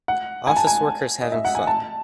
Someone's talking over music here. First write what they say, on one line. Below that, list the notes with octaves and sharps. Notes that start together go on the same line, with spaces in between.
Office workers having fun.
F#5
G#5
A5
G#5
D#5
E5
F#5
G#5
A5